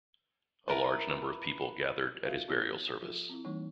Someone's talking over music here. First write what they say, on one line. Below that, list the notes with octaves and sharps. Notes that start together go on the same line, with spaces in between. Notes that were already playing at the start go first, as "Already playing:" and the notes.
A large number of people gathered at his burial service.
E4 A#4 B4 A5
F4 F#4 A4 A#4 E5 F5
B3 E4 F#4 G4 C#5
F3 F4 A4
C4 E4
E3 G3 A#3 D#4 C#5